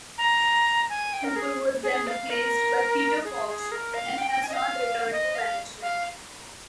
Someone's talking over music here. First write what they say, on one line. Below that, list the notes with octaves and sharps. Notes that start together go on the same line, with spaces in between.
Cooper was then replaced by Peter Fox and has not returned to management.
A#5
G#5
G5
A#4
G#4
G#4
F5
A#4
G#4
G#4
A#4
F5
G5
G5
G#5
D#5
F5
D#5
F5
F5